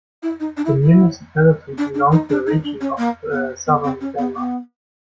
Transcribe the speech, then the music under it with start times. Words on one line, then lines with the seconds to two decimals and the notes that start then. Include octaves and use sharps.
The municipality belong to Region of Southern Denmark.
0.22 E4
0.40 D#4
0.57 D4
0.65 E4
0.83 E4
1.78 D4
1.94 D4
2.12 D#4
2.29 D4
2.46 D#4
2.63 D4
2.81 C#4
2.98 A#3
3.32 B3
3.66 B3
3.84 C4
4.01 C#4
4.18 B3
4.35 B3